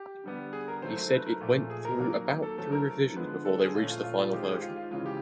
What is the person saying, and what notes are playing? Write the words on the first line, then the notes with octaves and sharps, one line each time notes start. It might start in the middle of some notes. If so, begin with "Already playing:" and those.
He said it went through about three revisions before they reached the final version.
Already playing: G4
D3 G3 B3
G#4
A#4
D#3 F#3 A3 C5
C5
B4
A#4
A#2 F3 A3
G#4
A#4
D#3 F#3 A#3
A4
D#3 F#3 A3 C4 A4
A#4
D3 F3 G#3 B3 B4
A4
G#4
A#2 F3 A3 C#4 F4
F4
F4
F4
D#3 G#3 C4 G4
G#4
G4
F4
F4
C#3 E3 G#3 F4
G4